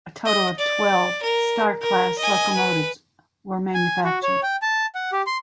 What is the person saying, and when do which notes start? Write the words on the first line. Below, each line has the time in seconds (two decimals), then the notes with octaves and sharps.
A total of twelve Star Class locomotives were manufactured.
0.26 D#5
0.59 D5
1.22 A#4
1.82 A#4
2.19 D#5 G#5
2.56 B4
3.74 G#5
4.04 F#4
4.23 C#5
4.43 G5
4.62 A5
4.95 F#5
5.12 G4
5.27 C6